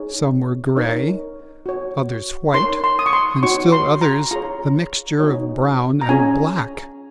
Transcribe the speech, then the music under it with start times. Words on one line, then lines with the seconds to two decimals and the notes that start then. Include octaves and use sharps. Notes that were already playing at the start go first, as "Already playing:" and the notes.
Some were gray, others white, and still others a mixture of brown and black.
Already playing: D#4 G#4 C#5
0.76 D#4 A#4 C#5
1.66 F#4 C#5
2.54 D#4 A#4 C#5 C6
2.84 C6
2.99 D#6
3.06 C#6
3.13 C6
3.42 D#4 F#4 C#5 C#6
3.72 C6
4.01 A#5
4.31 F4 G#4 C#5 A#5
5.20 D#4 F#4 C#5
6.01 A#5
6.09 C#4 F4 G#4 C#5 G#5